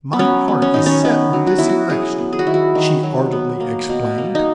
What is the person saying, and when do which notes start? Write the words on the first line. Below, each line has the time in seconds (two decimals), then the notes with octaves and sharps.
"My heart is set on this election," she ardently explained.
0.13 B3
0.19 F#3 C#4
0.48 B3
0.62 C#4
0.74 D#3 D#4
0.86 C#4
1.04 D#3 B3
1.33 F#3
1.47 F#4
1.58 B3 E4
1.69 F#4
1.89 F#3 G#4
2.18 B3
2.33 G#4
2.39 F#4
2.47 D#3 E4
2.54 F#4
2.75 D#3
3.03 F#3
3.32 B3
3.60 A#3
3.89 B2
4.18 A#3
4.35 D#4